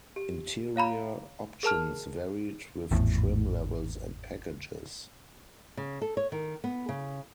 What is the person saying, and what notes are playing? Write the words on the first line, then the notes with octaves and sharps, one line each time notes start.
Interior options varied with trim levels and packages.
G4
C#5 F5 A#5 B5
G#4 A#4 A5 F6
G#1 E2 A2
C#3
A4
C#5
D#3
B3
C#3